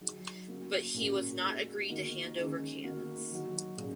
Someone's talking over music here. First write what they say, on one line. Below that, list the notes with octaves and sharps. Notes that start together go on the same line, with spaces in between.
But he was not agreed to hand over cannons.
F#3 D#4 G#4
C#3 A#3 F#4
A#2 G#3 C#4 F#4 A#4
G#3 D#4 F#4
D#3 A#3 D#4 F#4
D#3 G#3 C#4
D#3 A#3 D#4 F#4 A#4
D#3 F#3 D#4 F#4
A#2 G#3 C#4 G#4